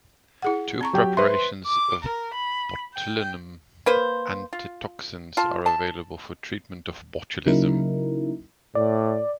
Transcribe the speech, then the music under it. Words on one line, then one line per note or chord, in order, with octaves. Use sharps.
Two preparations of botulinum antitoxins are available for treatment of botulism.
E4 G#4 F#5
C4 A#5 C#6
F#3 G4 G5
B4 C5 E5 C6
D6
A#4
B5
G5
A#3 B4 C5
F4
F4 A5
A5
C#3 F#3 A#3 D#4 E4 A#4
A2 D5